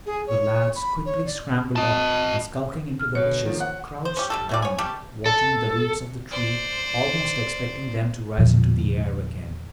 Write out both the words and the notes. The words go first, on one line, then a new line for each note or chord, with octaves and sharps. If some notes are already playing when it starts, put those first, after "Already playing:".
The lads quickly scrambled up and, skulking into the bushes, crouched down, watching the roots of the tree, almost expecting them to rise into the air again.
G#4
C#5
B5
C#5
D5
D#5 A5
F6
B2 C#5
D#3 F3 A#3
F#5
C5
C#4 G4
G3 G#3 A4
A3 F#4 D5
C#5 G#5
G3 A3 G4 A4
A4
C5 D5
E2 A#2 D3 F3